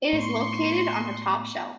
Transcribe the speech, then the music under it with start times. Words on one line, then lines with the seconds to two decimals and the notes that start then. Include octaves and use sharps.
It is located on the top shelf.
0.13 A2 A3 B3 C6 C#6